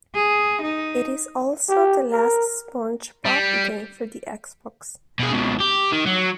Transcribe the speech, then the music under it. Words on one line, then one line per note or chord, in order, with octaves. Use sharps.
It is also the last SpongeBob game for the Xbox.
G#4
D#4
G4
A#4
G3
B2 G#4
C#2 B2
G4
D#3
F#3